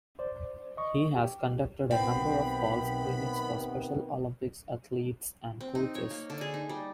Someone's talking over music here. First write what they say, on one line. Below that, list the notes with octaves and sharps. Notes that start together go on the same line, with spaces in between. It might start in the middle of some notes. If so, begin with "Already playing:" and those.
He has conducted a number of golf clinics for Special Olympics athletes and coaches.
C5 D5
D#5 C#6
G4
B1 C3 D#3 B3 C4 B5
C4
D#4
C#5
A#3
D3
G#4
D#4
G3